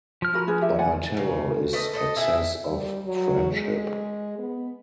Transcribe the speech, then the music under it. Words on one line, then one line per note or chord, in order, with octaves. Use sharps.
But my terror is excess of friendship.
F3 F6
F#4 A#4 B5
D4 G#4 B4
G4 E5
D5 F#5 G#5
C#3
A3 B4 D#5
A4 C5 D#5
E4 G#4 E5
G3
F#3
G#3
B3